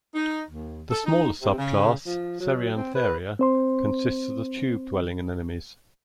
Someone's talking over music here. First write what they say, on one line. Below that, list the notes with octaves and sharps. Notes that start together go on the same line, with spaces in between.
The smaller subclass, Ceriantharia, consists of the tube-dwelling anemones.
D#4
D#2
A4
D#4
C3
C#3
F3
F#3
C4
B4
C4 C5 C6